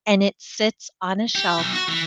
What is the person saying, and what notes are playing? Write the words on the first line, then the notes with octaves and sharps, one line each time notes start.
and it sits on a shelf
G4
B1
F#4
E3